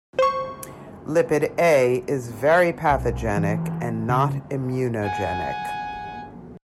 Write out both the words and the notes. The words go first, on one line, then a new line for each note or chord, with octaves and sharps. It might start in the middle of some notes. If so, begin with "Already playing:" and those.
Lipid A is very pathogenic and not immunogenic.
C5 C#6
B1
E3
C#3
F#5 G#5